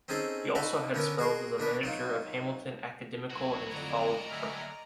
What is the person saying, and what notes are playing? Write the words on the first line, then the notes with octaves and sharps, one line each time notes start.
He also had spells as manager of Hamilton Academical and Falkirk.
C4 C#4 D#4 G#4 A4 A5
D#4 F#4 A4 B5 C#6
D3 B3 C#4 E4 A#4 C#5
F#4 G#4 A#4 C6
B2 D4 A#4 B4
F#3 D#4 F4
D2 A2 F#3 E4 F#4
F2 D3 D5 D#5 A#5
D3 F#3 E5 G#5 F6